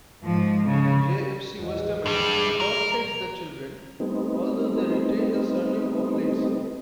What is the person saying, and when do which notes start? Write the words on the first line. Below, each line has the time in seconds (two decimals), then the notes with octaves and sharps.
J F C Westerman "adopted" the children although they retained the surname of Lindsaye.
0.23 G#2 F3
0.66 C#3
1.59 E2 G#3
1.76 A#1
2.06 G2 G3 G#4
2.60 A#4
4.00 G3 A3 B3 C4 D#4